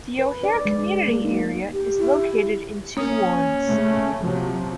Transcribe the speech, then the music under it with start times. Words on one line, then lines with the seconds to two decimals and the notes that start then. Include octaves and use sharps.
The O'Hare community area is located in two wards.
0.19 B4
0.43 D5
0.65 G#3
1.08 A#3
1.25 D#4
1.72 G4
1.98 E4
2.97 A#3 C#4 D#6
3.66 C#3 A3
4.21 C3 F3 F#3